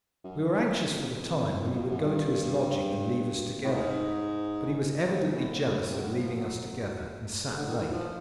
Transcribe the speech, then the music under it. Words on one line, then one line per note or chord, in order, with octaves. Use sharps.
We were anxious for the time when he would go to his lodging and leave us together, but he was evidently jealous of leaving us together, and sat late.
F#2
F2
E2
F2
E2
F2
F#2
G2
A2
G#2
A2
G#2
G#2
A2
A#2
A2
A#2
C3
B2
F3
F#3
C#3
D3
D#3
E3
F3